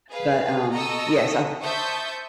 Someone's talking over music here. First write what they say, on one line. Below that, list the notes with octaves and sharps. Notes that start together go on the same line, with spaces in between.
but, um, yes, I s
G#4 B4 F5
A4 D#5 A#5 C#6 D#6 E6
C5 E5 A5 C#6 D#6 G6